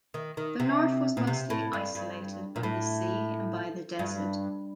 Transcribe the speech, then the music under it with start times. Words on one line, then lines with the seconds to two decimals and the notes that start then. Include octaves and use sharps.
The north was mostly isolated by the sea and by the desert.
0.14 D#3
0.37 D#3
0.60 C3
1.17 A#2
1.27 C3
1.50 A2
1.73 G2
1.95 G2
2.56 A#2
2.63 A2
3.99 G2